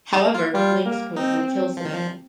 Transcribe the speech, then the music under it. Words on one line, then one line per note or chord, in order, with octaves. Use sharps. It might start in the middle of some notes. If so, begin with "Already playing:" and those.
However, Ling supposedly kills the man.
D#4
A#3
F4
G3 F4
A#3
C4 D#4
F3
D#3
F3